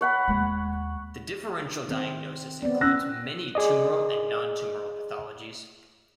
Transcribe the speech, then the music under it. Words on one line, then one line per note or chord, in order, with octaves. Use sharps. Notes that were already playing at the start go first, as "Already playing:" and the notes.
The differential diagnosis includes many tumoral and nontumoral pathologies.
C#5 F#5 B5
D#2 G#3
D#3 C4
B3 C4 D5
C#4 E6 F#6 A#6
G#4 D5 D#5